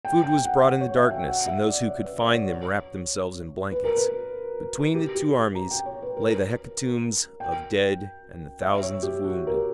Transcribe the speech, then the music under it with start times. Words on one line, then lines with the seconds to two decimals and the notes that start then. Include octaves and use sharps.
Food was brought in the darkness, and those who could find them wrapped themselves in blankets. Between the two armies lay the hecatombs of dead and the thousands of wounded.
0.05 G5
0.24 G5
0.38 G5
0.45 F#5
0.81 C#5
0.96 E5
1.11 G5
1.27 F#5
1.47 E5
1.67 D5
1.88 C#5
2.04 B4
2.18 D5
2.34 C#5
2.49 C#5
3.72 B4
3.85 A#4
3.96 B4
4.95 G4
5.15 G4
5.55 A#5
5.71 G5
5.86 C#5
6.02 B4
6.17 A#4
7.40 G5
8.62 E5
8.83 C#5
9.03 G4
9.24 F#4
9.47 A#4
9.54 G4